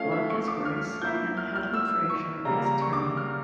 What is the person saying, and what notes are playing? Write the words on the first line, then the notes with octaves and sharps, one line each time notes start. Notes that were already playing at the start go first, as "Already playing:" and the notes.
Block as Grace, and Hadley Fraser as Tiernan.
Already playing: F3 A3 C#4 F5
E5
C#6
D6
F6
F3 A#3 E4 G6
F6
F6
E6
C#6
C#3 G3 A#3 A#5
A#5
C#6
D6
F6